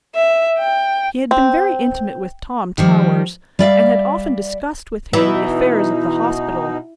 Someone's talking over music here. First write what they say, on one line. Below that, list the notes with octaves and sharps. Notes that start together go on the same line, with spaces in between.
He had been very intimate with Tom Towers, and had often discussed with him the affairs of the hospital.
E5
G5
C4
D#3 F3 G3
G3 D5 E5 F5
B2 E3 D#4